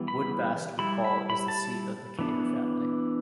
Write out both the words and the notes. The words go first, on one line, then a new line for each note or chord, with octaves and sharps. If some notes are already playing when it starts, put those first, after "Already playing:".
Woodbastwick Hall is the seat of the Cator family.
Already playing: E3 G3 B3
B5
G3 E4 B5
B5
B5
A5
E3 B3 D4